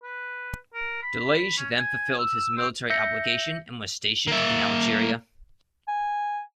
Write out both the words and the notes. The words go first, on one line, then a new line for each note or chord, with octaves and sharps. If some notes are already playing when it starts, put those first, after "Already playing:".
Delage then fulfilled his military obligation and was stationed in Algeria.
B4
A#4
B5
C#4
G#5
E6
C4
E5 G6 A#6 C#7
A#3 E5
G#5